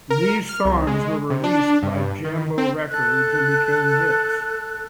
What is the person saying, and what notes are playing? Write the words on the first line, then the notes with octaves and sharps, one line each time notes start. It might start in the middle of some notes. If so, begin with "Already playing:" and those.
These songs were released by Jambo Records and became hits.
A#4
F6
C2
G#3
C3
D4
G2
D#3
C4
A4 F#6